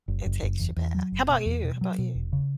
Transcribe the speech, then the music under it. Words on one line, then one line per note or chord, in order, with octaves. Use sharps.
It takes you back. How about you? How about you?
F#1
F#1
F#1
E2
E2
F#3
F#1
B2
E2
B2
F#3
B2
E1
C#3